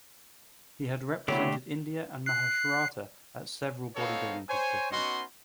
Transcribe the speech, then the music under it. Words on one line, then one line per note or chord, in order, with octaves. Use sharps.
He had represented India and Maharashtra at several bodybuilding competitions.
D3 F#3 A3 B3 E4 G4
F#6 C7
B3 C4 D#4 A4 C#5 F5
C5 C#5 G#5
B3 C#4 D#4 F#4 D#5 C6